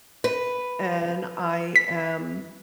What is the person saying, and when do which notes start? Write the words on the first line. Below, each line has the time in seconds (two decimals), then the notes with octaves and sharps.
and I am
0.24 B4
1.76 B6